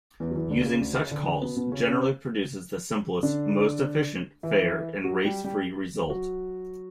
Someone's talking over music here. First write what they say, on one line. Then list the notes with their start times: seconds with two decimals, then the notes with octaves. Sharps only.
Using such calls generally produces the simplest, most efficient, fair, and race-free result.
0.20 E2 E3
0.31 F#3
0.35 E2 E3
0.51 D2 D3
0.66 C#3
0.81 D2 D3
0.96 C#3 C#4
1.11 D3 D4
1.26 D3 D4
1.41 B2 B3
1.56 B2 B3
1.72 C#3 C#4
1.87 C#3 C#4
3.23 D3 D4
4.43 E3 E4
5.04 F#3 F#4
5.24 G3 G4
5.44 G3 G4
6.10 F#3 F#4